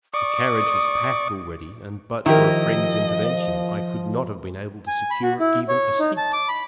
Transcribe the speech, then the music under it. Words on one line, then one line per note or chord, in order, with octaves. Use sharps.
The carriage was packed already and but for a friend's intervention I could not have been able to secure even a seat.
D5 C#6 D#6
D#3 F3 E4 G4 A#4 D#5
G#5
B5
F#4
E4
C#5
D#4
A5
D6
B5